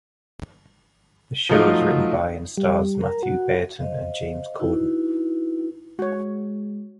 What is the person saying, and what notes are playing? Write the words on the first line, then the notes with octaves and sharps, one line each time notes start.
The show was written by, and stars, Mathew Baynton and James Corden.
F3 F#3 A3 D#4 F4
G3
A#4
F#4
C5 D#5 F5
D#4 E4 F#4 B4
G#3 F#4 C#5